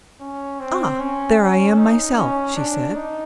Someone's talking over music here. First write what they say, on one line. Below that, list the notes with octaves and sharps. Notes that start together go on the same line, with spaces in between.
"Ah, there I am myself!" she said.
C#4
C4
C#4
C#4
D#4
C#4
D4
D#4